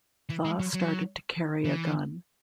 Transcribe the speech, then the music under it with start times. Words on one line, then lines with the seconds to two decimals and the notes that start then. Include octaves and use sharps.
Thaw started to carry a gun.
0.29 E3
0.44 G#3
0.60 F#3
0.75 F#3
1.64 E3